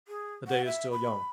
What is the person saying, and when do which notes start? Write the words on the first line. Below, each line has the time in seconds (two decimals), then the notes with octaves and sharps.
The day is still young.
0.08 G#4
0.47 F#5
0.65 E5
0.91 B5